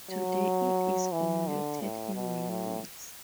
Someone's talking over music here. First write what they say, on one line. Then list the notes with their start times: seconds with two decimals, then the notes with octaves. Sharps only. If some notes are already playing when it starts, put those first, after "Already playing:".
Today it is formulated in many ways.
0.11 F#3
1.12 E3
1.47 D3
1.81 A2
2.15 B2
2.49 A2